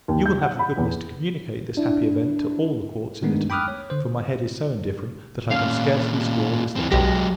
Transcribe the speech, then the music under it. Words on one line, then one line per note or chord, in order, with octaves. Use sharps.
You will have the goodness to communicate this happy event to all the courts in Italy; for my head is so indifferent, that I can scarcely scrawl this letter.
D#2
G6
F#5
B5
E2
D4 E4
D#3 G#3 A3 B3 D4 D#4
G5 B5 D6 D#6 F6 F#6
C#5
D3 C5
A#2 C#4 F5
E3 C4
B1 F#3 G#3 G4 A#6